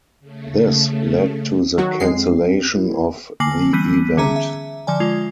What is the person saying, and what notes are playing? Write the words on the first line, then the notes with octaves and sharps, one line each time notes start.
This led to the cancellation of the event.
C#3 A3
D#3 F#3 F#4
F2 G#3 C4 C7
E4
D3 A#3 G#5 D6 C7 F#7
E3 G3 B3 B6 D#7
D3 C#4 G#4 E5 A#5
E5
D3 F3 D5 G#5
G#3 F4